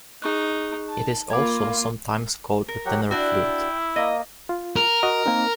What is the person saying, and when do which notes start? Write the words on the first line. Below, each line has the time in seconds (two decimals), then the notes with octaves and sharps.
It is also sometimes called a tenor flute.
0.22 D#4 G#4 C#6 F#6
0.88 A5
1.30 A#3 F4 B5 D6 G#6
2.68 A#4
2.86 F#3 G4 F#5
3.11 D4 E4 F#4 G5
3.96 A#3 D#5
4.49 F4
4.76 A#4
5.03 F#4 D#5 A#5
5.26 A#3 C4 D#4